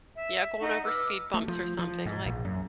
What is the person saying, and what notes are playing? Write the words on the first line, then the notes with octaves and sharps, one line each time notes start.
yeah, going over speed bumps or something, like
E5
D#4 D#5 F#5
B4 D6 E6 F6
A3
F3
F3
G#2
A#1
F#2